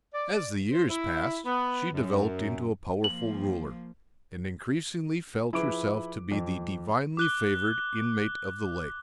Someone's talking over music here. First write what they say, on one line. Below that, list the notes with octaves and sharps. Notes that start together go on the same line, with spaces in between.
As the years passed she developed into a powerful ruler, and increasingly felt herself to be the divinely-favoured inmate of the lake.
D5
C5
E4
B3
F#2
F3 A#3 F#7
F3 E4 G#4 B4 D6 D7
F2
D6 F#6 G7